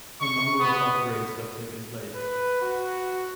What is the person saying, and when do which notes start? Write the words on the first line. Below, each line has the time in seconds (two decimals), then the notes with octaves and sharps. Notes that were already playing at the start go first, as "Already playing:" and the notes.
A number of upgrades have taken place.
0.20 C#6
0.60 B3
2.15 B4
2.62 F#4